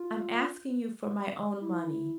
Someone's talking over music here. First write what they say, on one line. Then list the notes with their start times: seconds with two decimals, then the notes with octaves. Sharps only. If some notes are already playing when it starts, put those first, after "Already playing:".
'I'm asking you for my own money.
Already playing: F4
1.61 E4